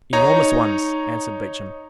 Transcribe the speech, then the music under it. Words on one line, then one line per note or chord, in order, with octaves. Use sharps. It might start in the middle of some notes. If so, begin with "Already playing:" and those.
"Enormous ones," answered Beauchamp.
D#4 C#5 A#5